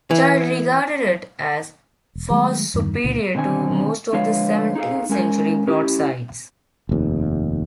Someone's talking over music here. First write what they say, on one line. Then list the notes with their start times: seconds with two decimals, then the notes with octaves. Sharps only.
Child regarded it as "far superior to most of the seventeenth-century broadsides".
0.11 E3
2.15 E1
2.30 D#3 F#3 G#3 A3
2.74 E2 G2 D3 D#3
3.04 C#2 A#2 D3
3.35 B2 D3 D#3 C4 G#5
4.13 D3 F3 G#3 B4 C#5 F5
4.75 D#4 G#4 A4 F5
5.09 G#3 C#4 A#4 G#5
5.67 C#4 E4 G4
6.89 F1 D#2